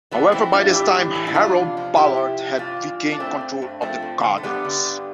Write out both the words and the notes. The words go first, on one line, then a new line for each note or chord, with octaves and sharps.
However, by this time Harold Ballard had regained control of the Gardens.
E3 G3 B3
E3 C4 E4
A2 D4 F4
E3 E4 G4
A2
E3
E4
E2 D4 F4
C3
F3
C3 E4 G4
F3
C3
G2 D4 F4
E3
G2
D4
G2 A3 C4
G2
G2
F3 A3 C4
G2
D3
A3
G2 G3 B3
D3
G2